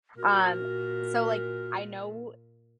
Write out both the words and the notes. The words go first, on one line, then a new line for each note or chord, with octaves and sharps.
Um, so, like, I know
A#2 F#4 A#4